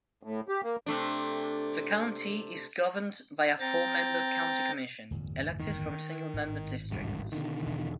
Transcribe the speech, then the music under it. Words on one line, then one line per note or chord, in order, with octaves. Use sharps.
The county is governed by a four-member county commission, elected from single-member districts.
A2
G4
A#3
C3 A3 D4
C4 G5 A#5 A6
D1 G1 E2
D#3
G#1 A2
E1 C#2 G2
B2 D3 D#3
E1 E3